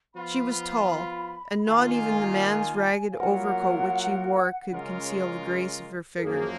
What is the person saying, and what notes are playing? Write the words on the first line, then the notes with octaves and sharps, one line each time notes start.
She was tall, and not even the man's ragged overcoat which she wore could conceal the grace of her figure.
F3 B3 F4 B5
D#3 A#3 F4 G#5
F5
F#3 A#3 F4 A#4 F#5
C#3 G#3 C#4 F4 A#4
A#4
F#2 F3 A#3 G#4